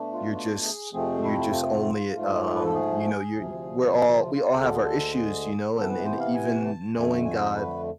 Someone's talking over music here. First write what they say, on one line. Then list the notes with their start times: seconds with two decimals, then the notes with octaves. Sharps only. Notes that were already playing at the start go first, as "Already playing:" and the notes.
you're just you're just only, um you know, you're we're all we all have our issues, you know, and and even knowing God,
Already playing: B2 A3 D4
0.13 F4
0.34 F4
0.64 G#4
0.93 F2 C3 F3 A3 C4 G#4
1.24 E4
1.54 F4
2.13 G#2 F3 A3
2.54 B4
2.64 A4
2.74 G#4
3.34 D2 C3 F3
4.14 F4
4.34 F4
4.54 D2 D3 G#3 G#4
4.65 A4
4.74 G#4
4.84 A4
5.14 G#4
5.74 C3 E3 B3 A4
5.90 B4
6.05 C5
6.19 F5
6.34 G#5
6.64 A5
6.94 F2 D3 A3 G#5
7.25 G#5
7.40 C5
7.55 B4